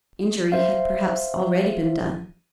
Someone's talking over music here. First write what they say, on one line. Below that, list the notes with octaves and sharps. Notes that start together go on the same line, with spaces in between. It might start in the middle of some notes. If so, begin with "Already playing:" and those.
Injury had perhaps already been done.
C5 E5 F5